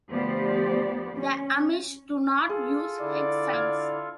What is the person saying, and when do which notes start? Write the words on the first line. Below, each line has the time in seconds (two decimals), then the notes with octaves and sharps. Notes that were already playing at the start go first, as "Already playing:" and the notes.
The Amish do not use hex signs.
0.12 D2 F3 B3 G4 C5 D5
1.17 C#4
2.49 F4 G#4 A4
3.01 D3 E4 D5
3.53 F6 G#6